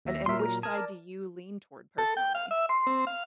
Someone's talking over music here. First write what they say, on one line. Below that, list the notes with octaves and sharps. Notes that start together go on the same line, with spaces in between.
And and which side do you lean toward personally?
D#2 E5 A#6
A#2 F#3 A#4 E5 C6
A#5
A#4 A5 D#6 G#6
D5
A4
G5
F5
E5
C6
C4
F5